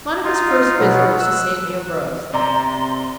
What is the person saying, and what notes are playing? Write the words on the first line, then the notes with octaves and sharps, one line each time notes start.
Monica's first visit was to St. Ambrose.
D#4 F4
B2 F#3
E6 F#6
C3 D5 A#5 C6